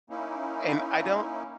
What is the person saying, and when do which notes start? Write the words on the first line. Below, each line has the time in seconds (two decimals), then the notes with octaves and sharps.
and I don't
0.10 A#3 C#4 D#4 E4